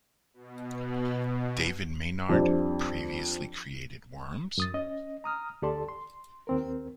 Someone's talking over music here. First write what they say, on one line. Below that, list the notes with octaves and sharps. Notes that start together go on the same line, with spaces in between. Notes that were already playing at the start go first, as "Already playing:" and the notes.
David Maynard previously created Worms?
B2
F2 G3 C4 D4
F#2 D#6 A6
C#4 D#5
A#5 D#6 F6
D2 G4 A4 D5 A5 C6
C6
D#2 C4 A#4